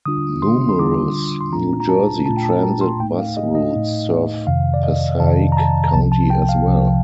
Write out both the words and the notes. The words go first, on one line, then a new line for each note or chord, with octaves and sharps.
Numerous New Jersey Transit bus routes serve Passaic County as well.
D3 G3 D4 F4 D#6
C6
C6
D3 G3 D4 F4 D6
C6
A#2 A3 D4 F4 A#5
A#5
A5
A#2 A3 D4 F4 A5
G5
A5
A#5
C6
A2 A3 D#4 G5
F5
D#5
D#5
A2 A3 D#4
F2 C3 D#3 F5
D5
D#5
F2 C3 D#3 A5
A#5
A5
A#5
C2 C3 F3 A5
A5
G5
F5
C2 C3 F3